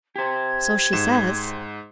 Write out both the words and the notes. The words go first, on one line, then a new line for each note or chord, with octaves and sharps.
"So she says."
G4 C5 G#6
G#2 E7